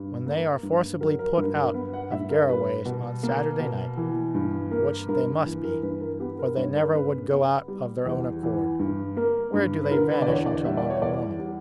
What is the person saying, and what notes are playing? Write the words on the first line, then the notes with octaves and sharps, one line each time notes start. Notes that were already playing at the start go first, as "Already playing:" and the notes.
When they are forcibly put out of Garraway's on Saturday night--which they must be, for they never would go out of their own accord--where do they vanish until Monday morning?
Already playing: G2
A#3
G2
F#3 A#4
A#4
G2 A#4
A#4
B3 B4
F#5
G2 E5
A#4
G3 B4
B2
A#3 A#4
B2
E3
G2
A#3 A#4
G2 A#4
E3
A#4
G2 B4
A#4
B3 G4
A#4
G2 C#5
A#4
C#3 B4
B3
G3
E2
E3
G2
A#3 A#4
G2
B4
D3 A#4
B4
D5
E2 C#5
D5
G3 E5
D5
C#5
E2 D5
G3